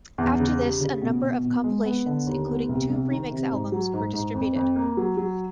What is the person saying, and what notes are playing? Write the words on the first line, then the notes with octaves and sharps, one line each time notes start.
After this, a number of compilations, including two remix albums, were distributed.
E2
C#3
G3
C#3
B2
B2
B2
G#3
B3
D3
D#2
B3
C2
C2
D#3
C3
G#2
F#3
G#2
G#2
F2
F2
A#3
F#3
F#3